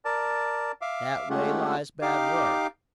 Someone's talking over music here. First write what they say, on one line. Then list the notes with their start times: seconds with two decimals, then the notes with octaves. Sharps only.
That way lies bad work.'
0.05 A#4 D5 A5
0.82 E5 F5 D6
1.30 G#3 A3 C#4 F4 G4 F#5
2.02 D#4 G4 F5 D6